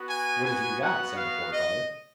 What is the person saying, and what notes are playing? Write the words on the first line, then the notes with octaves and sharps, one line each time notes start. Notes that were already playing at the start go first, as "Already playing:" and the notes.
"What have you got?" said the Poor Brother.
Already playing: B3 F#4
G#5
G#5
F#5
F5
D#5